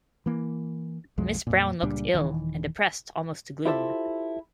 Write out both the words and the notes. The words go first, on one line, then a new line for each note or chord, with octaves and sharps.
Miss Brown looked ill, and depressed almost to gloom.
E3 A#3
B1 F2 G#3
F2 A#2
C#2 A#2 G3 D4
D#1 D#3 E3
E4 F4 G4 A4 C5 E5